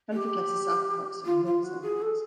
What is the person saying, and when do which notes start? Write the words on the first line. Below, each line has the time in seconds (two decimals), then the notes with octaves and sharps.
Canford Cliffs is south of Parkstone and north of Sandbanks.
0.12 G4
1.25 F4
1.44 F4
1.63 F#4
1.82 G#4
2.01 A4